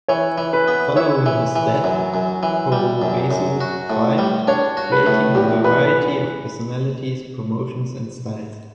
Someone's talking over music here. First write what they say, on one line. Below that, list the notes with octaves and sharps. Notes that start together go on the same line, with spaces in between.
Following his death, Puroresu thrived, creating a variety of personalities, promotions and styles.
E3 C#5
E3
B4
B3
E4 C#5
E3
E3
F#2
F#2
E3
G3
F#2
F#2
F#4
A2
G3
D4 C#5
F#4
B4
A2
E2 G4
E2 B4
B4